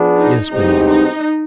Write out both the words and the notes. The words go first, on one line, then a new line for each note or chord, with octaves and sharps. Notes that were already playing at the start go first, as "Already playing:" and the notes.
"Yes, Benito."
Already playing: F3 B3 D4 G#4
D#4
C2 B2 G#3 C4 D#4 G4
D#4